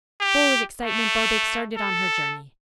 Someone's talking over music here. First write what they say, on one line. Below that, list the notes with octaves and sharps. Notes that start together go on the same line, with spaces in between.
Full of excitement, Barbaik started on her journey.
G4
A3
A4